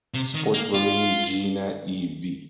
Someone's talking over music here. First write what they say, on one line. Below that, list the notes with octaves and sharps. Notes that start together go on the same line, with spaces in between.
Sportverein Jena e.V.
C3
D#3
A#3
F4